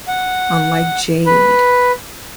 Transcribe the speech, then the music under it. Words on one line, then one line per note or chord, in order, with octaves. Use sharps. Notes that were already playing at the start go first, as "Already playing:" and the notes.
"Unlike Jade."
F#5
B4